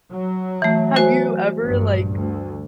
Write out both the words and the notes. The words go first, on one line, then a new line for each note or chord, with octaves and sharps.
Have you ever, like,
F#3
E3 A3
F#4 C5 G#5
A#1 G2
D2